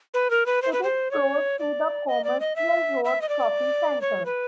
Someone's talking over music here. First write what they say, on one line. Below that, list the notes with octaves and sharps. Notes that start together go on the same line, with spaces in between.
It is close to the Commercial Road shopping centre.
B4
A#4
B4
C5
B4
C5
C#5
D5
D#5
D5
D#5
E5
E5
D#5
D5
C#5
B4